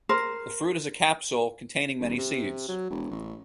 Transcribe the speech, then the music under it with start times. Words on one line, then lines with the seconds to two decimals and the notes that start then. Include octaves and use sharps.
The fruit is a capsule containing many seeds.
0.09 A#4 C5
2.00 D#1
2.18 C3
2.68 F#3
2.90 E1
3.11 A1